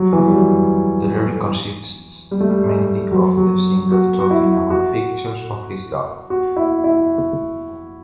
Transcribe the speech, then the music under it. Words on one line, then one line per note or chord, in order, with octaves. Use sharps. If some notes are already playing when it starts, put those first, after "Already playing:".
The lyric consists mainly of the singer talking about pictures of his love.
Already playing: F#3
E3
G3
F#3
G3
A3
G3
F#3
F#3
F#4
F#4
E4
F#4
F#4
E4
E4